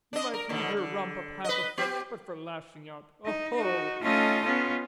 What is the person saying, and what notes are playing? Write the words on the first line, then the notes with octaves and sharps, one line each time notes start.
You might heave your rump up half a foot, but for lashing out--oho!
D4 D#5
A#4
D#2 B2 D3
D3
B4 D#5
B3 G4
D#4
D#4 F#4
A3 C#4 D#4 F4 A4 D#5
B3 C#4 F4